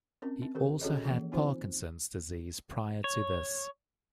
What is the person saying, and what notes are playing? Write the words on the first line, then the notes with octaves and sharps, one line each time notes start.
He also had Parkinson's disease prior to this.
C4 C#4 A#4
C4
D#3 G4 A4 A#4
C#4 F#4 G#4 A4 C#5 D#5
E3 F3 A#3
B3 C4 D#4 F4 C5
C#5